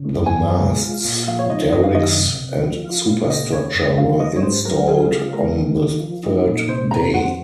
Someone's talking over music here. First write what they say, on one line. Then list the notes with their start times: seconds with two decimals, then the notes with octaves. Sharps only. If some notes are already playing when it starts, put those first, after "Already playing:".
The masts, derricks and superstructure were installed on the third day.
Already playing: C#3
0.15 F#2
0.26 G#5
0.38 F#2
0.60 G#3
0.82 F4
1.05 A#2
1.28 F3 F5
1.39 C#5
1.50 D#4 D#5
1.72 F#2 D#5
1.83 F5
1.95 D#3 D#5
2.17 C3
2.41 C3
2.62 F3
2.84 F4
3.07 A#2
3.24 F5
3.30 C#3 D#5
3.52 C#4 C#5
3.75 F2
3.98 F3 F5
4.20 D#4 D#5
4.36 C#5
4.42 G#2 C5
4.65 F#3 A#4
4.87 F4 G#4
5.11 C#3 G#4
5.33 G#3 A#4
5.56 D#3
5.78 D#3
6.00 F3
6.23 D#4
6.46 A#2
6.68 C3 C5
6.91 C4 A#5
7.13 F2 F#5